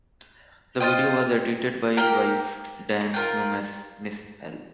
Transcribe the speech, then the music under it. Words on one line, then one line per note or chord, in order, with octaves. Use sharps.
The video was edited by his wife, Dyan Humes-Nispel.
F4 C5 D#5 G5
A#3 G4 A#4 G5
F4 A#4 G5